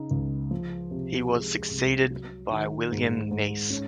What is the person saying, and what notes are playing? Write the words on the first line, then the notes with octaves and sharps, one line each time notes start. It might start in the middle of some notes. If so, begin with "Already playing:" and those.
He was succeeded by William Kneass.
Already playing: C#3 D#4
C#2
F3
C3
G#3
C2
F#3
D#3
G#2
G#2
C#4